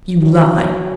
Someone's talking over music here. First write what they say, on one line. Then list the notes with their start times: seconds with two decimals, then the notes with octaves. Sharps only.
"You lie!"
0.22 F#3